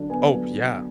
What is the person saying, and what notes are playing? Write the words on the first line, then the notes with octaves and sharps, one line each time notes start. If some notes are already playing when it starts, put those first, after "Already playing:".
Oh, yeah.
Already playing: D3 F#3 D4
B3 G#5
F#3